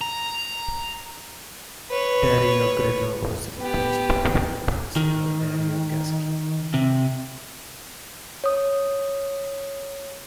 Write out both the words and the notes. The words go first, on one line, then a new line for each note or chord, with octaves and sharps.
Dario Grillo was replaced by Fingerbang singer Dario Cascio.
A#5
B4 C#5
B3 G4
D#3
C3
C#5 D#6